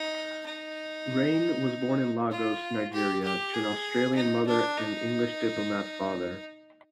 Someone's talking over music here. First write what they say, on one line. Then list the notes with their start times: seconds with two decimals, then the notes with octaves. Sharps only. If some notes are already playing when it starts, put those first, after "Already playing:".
Reyne was born in Lagos, Nigeria to an Australian mother and English diplomat father.
Already playing: D#4
0.46 D#4
2.31 F4
2.93 G4
3.24 G4
3.54 G#4
4.16 D#4
4.47 D4
4.78 D#4